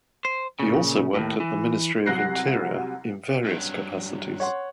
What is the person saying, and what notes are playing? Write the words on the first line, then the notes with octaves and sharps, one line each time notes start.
He also worked at the Ministry of Interior in various capacities.
C5
A#2 C#3
D#2 A2
E3
C2 F#3 F#6 A#6 C7
G2 F#3
C#5 F#5 C6